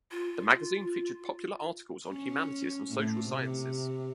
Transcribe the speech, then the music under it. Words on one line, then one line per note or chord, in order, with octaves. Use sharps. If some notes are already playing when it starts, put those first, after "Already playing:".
The magazine featured popular articles on humanities and social sciences.
F4
C#4
A2
C3